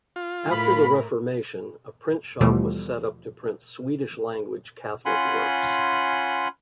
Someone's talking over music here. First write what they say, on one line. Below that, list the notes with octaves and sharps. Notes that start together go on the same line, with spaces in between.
After the Reformation a printshop was set up to print Swedish-language Catholic works.
F4
A2 A#4 B5
D#2 B2 E3 F3 G3 A3
C#4 F4 F#5 G#5 B5 C6